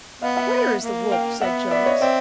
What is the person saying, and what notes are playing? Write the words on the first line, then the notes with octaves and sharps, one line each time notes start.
'Where is the wolf?' said Jonas.
B3 D#5 F5
E5 F#5
A#3
F5 G5
B3 E5 F#5
D5 E5
C#5 D#5
C4 D5 E5